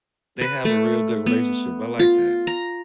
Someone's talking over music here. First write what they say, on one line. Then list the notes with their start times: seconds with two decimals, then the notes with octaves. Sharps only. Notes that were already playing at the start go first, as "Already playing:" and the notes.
they have a real good relationship. I like that.
0.41 B4
0.65 A3
1.26 B3
1.99 F4
2.47 A#5